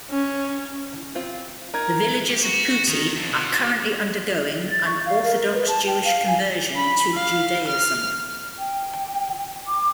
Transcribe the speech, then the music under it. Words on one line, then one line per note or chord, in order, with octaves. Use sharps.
The villagers of Putti are currently undergoing an Orthodox Jewish conversion to Judaism.
C#4
C4 F4
D#4 A#4 A#5 G#6
G4
F#4
D#3
F2
B2
A6
C#6
F5
A#4
B4
A5
G5
F5
G#5
B5
F5
F6
G5
D6